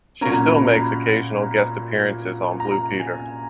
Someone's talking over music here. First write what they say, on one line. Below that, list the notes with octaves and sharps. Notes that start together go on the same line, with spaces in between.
She still makes occasional guest appearances on "Blue Peter".
A#2 F#3 A#3 C#4 A#5
B5
A#5
B5
A#5
G#5